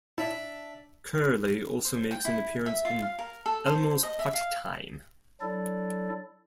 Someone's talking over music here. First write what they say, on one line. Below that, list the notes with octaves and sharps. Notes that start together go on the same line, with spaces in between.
Curly also makes an appearance in "Elmo's Potty Time".
D4 E4 E5 A5
C5
G5
E4
E5
F4
F5
A#4
A4
C5
D#5
E5
F5
F#3 D4 E4 A4 D5